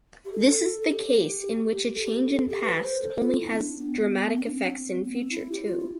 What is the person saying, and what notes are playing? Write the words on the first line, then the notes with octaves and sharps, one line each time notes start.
This is the case in which a change in past only has dramatic effects in future, too.
G4
A4
A4
G4
A4
G4
A4
G4
B4
C5
A4
F4
E4
C4
D4
B3
C4
D4
C4
B3
C4
E4
G4
F4
E4